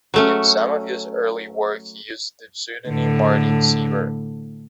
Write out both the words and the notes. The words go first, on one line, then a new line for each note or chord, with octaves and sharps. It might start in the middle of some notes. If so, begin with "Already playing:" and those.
In some of his early work he used the pseudonym Martin Sievre.
F#3 A3 C#4
A2 D3